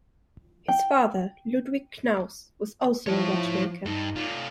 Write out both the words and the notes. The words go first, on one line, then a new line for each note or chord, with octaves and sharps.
His father, Ludwig Knaus, was also a watchmaker.
G5
F3 E4 C#5
G2 D#4
A3 F4